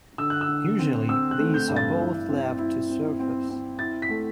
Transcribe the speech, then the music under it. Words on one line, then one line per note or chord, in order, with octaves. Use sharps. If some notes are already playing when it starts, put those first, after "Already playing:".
Usually these are both left to surfers.
D3 E6
F#6
E6
D3
C4
C4 E6
F#6
A3
G6
G2
A6
E4
C4
E4
C4
C4
C4
E4 A6
B6
A3